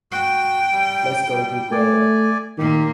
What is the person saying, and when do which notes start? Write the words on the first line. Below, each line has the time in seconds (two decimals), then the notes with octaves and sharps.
Let's go to Breda.
0.12 F#4 G5
0.72 G3
1.31 G3
1.72 A3 D5 G#5
2.58 A#2 D#3 A#3 G4